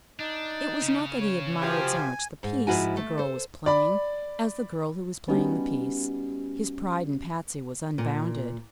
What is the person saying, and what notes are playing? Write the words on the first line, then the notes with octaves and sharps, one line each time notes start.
It was not that he admired so much the "piece" the girl was playing as the girl who was playing the "piece." His pride in Patsy was unbounded.
D4 D#4
C#3
C#5
F#2 F3 G4 G#5
G#2
G#2 F3 E4 F#4 G#5
A3
A4 C5
D5 B5
G3 B3 C#4 D#4 F#4 G4
A#2